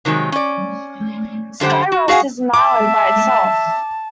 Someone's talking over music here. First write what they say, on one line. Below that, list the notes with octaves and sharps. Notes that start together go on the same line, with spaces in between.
Skyros is an island by itself.
C3 D#3 F#3 G#3
C#4 D5
F#2 D3 G4 C5 F#5
F#4
F#4 G#4 F5 F#5 G#5
E5 A5 D6